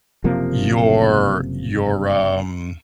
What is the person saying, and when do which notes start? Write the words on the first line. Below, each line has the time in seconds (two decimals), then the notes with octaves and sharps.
your your, um,
0.24 F#1 C3 F3 A#3